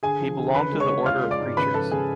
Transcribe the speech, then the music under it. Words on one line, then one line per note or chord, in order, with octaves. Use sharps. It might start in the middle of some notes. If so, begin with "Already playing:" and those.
He belonged to the order of preachers.
D3 G#4 G#5
F3
D3
C#3 B4 B5
G#3
C#5 C#6
C#3
F4 F5 F6
G#3
D5 D6
G#2
C#3 B4 B5
F3 A4 A5
C#3 G#4 G#5